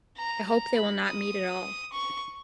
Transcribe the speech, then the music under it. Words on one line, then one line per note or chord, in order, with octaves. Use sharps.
I hope they will not meet at all.
A#5
A#5
B5
D#6
C#6